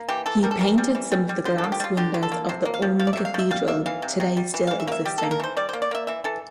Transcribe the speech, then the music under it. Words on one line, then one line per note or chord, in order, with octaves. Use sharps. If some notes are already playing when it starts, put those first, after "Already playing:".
He painted some of the glass windows of the Ulm cathedral today still existing.
Already playing: A#3
E3 G4
E3 A4
G3 A#4
A4
E3 A#4
G3
E3
G3
G3
D3 C5
A4
A#3
G4
G3 F4
D3 G4
D3
A4
A#3
C3 C5
A#3
F5
F3
F3 F5
D5
E5
C3
F5
F3 E5
G3 F5
A#3 E5
E3 F5
C3
C3
G3
E3
E3 F5
E5
A#3 E5 F5
G3 G4
A4
A#3
A#4
E3 C5
G3 D5
C5
A#3
D5
A#3 E5
E3 E5
E3 A4